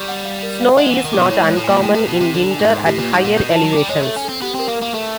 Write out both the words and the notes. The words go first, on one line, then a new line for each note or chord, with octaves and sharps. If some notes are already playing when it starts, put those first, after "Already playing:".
Snow is not uncommon in winter at higher elevations.
Already playing: G3 C#6
F#5
F5
A#4
F5
G#3 F#5
E3
F#5
D#3
B2 D6
A2 C#5
G#2 C#5
A2
A#2 G#5
A2 G5
A2 B4
B2
C3 G5
D3 A4
G#5
G#2
A4
A2 G4
A#2 B4
G#2
A#2 F#5
B2 G6
F3 A5
F#3
G3 D6
G#3 C#5
A3 A4
C#4
C4 A4
B3 G4
C4 A#4
A#3
A#4
A#3
A3 A4